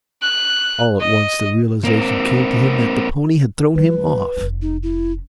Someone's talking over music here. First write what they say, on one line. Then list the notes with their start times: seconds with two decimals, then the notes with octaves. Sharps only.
All at once the realization came to him that the pony had thrown him off.
0.22 F#6
1.00 D#5
1.85 A#3 C4
3.76 F#3 G#3 B4
4.37 F1 C#4
4.62 D#4
4.83 E4